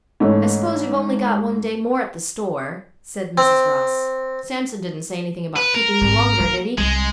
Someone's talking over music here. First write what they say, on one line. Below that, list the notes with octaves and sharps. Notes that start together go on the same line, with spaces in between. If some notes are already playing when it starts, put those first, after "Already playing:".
"I s'pose you've only got one day more at the store," said Mrs. Ross. "Sampson didn't say anything about keeping you longer, did he?"
G#2 E3 A3 C#4
C4
B4
A#4
G#1 C4
F#3 A#3
C2 G#3